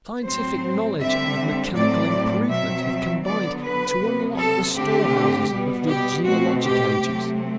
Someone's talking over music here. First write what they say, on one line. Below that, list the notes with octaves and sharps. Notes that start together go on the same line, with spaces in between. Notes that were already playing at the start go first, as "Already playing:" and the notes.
Scientific knowledge and mechanical improvement have combined to unlock the storehouses of the geologic ages.
A2 F#3 C4 C5
D3 G3 C4 E5
A2 F#3 C4 D5
B2 F#3 C4 E5
D3 F#3 B3 D5
B4
C3 F#3 B3
A4
D3 A3 C4 G4
B2 G3 B3
G4
B2 A3 C4 F#4
G4
C3 F#3 A3 C4